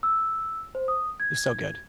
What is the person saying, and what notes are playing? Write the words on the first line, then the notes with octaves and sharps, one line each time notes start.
It was so good.
E6
C5
D#6
G#6